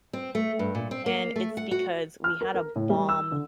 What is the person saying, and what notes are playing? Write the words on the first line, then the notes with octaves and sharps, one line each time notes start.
And it's because we had a bomb
C4
A3
G2
A#2
C4
A#3
A3
F#5
F#4
F6
A#4
A#4
A2
G3
E6
D3